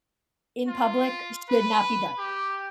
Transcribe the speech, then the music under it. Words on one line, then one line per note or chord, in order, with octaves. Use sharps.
in public should not be done.
F4
B4
G4